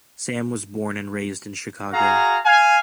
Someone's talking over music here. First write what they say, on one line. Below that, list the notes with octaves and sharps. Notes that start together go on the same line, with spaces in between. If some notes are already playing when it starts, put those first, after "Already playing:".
Sam was born and raised in Chicago.
F#4 G#4 F5 A#5
F5 G#5